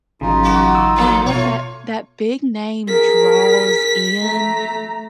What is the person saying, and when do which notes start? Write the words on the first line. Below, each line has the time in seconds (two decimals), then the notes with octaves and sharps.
and what that that big name draws in,
0.21 G#1 C#3 E3 F#3 D#4 F4
0.43 A#3 F#4
0.75 E6
0.96 F3 A#3 A4
1.26 B2 A3 F4 C#5
2.88 G#4 A#4 B6
4.21 A3 A#5